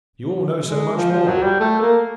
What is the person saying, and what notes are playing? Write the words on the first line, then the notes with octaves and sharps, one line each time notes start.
You all know so much more.
G#3
F3
F3
F#3
G3
A3
A#3